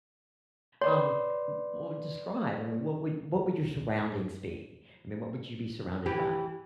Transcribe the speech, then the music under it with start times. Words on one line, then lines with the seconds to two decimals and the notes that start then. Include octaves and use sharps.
um, w well, describe I mean, what would what would your surroundings be? I mean, what would you be surrounded by?
0.81 B4 C#5 D5 C6
6.06 E3 G4